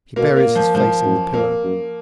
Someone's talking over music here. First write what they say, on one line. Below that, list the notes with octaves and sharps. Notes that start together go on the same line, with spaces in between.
He buries his face in the pillow.
B2 A#3
A#3
A#2
F3
G#2 F3
F#2
F2 A#3
F#2